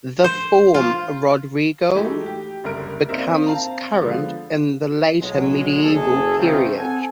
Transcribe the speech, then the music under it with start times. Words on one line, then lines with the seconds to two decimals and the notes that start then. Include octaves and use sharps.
The form "Rodrigo" becomes current in the later medieval period.
0.24 C5
0.74 F4
1.94 E3 F#3 G#3 A3 D#4 G4
2.26 G4 G5
2.64 F#1 D2 G3 A#4 D7
3.09 A#3 C4 D4 D#4 A#4 E5
3.46 C4 F5 A5 A#5
4.01 D3 F3 G#3 B3
5.20 B1 F#3 G#3
5.82 F#1 G#4 A4
6.37 C#2 E3 C4 C#4 D#4 F4
6.76 C4 A4 F#5 G#5